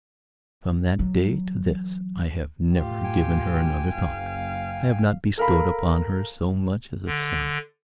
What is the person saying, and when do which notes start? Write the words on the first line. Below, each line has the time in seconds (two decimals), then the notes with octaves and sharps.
From that day to this I have never given her another thought; I have not bestowed upon her so much as a sigh.
0.99 E3 F#3
2.74 A2 F4 G4
3.04 G5 G#5
3.91 F#1 F5
5.38 A4 A#4 F5 B5
7.06 D3